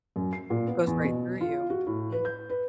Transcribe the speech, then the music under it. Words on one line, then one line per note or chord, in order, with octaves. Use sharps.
Goes right through you, mhm.
F#2
C7
A#2
B3
E2
B2
F4
F#4
A2
B4
G6
B4